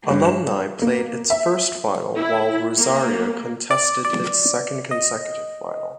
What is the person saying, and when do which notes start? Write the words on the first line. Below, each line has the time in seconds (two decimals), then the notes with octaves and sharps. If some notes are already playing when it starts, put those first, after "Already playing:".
Alumni played its first final while Rosario contested its second consecutive final.
0.10 G2
0.25 E7
0.82 A#3
1.30 E5
2.17 E4
2.78 A#3
3.71 D5
4.05 D5
4.91 D#5